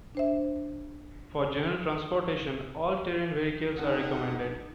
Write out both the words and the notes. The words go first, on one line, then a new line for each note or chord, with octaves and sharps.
For general transportation all-terrain vehicles are recommended.
D4 C5 E5
F2 G#3 D#4 F#5